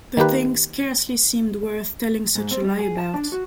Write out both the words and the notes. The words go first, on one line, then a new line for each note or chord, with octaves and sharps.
The thing scarcely seemed worth telling such a lie about.
D#3 A#3 G4 B4
G#2
C4
G3
G#4
A5
D4
F#4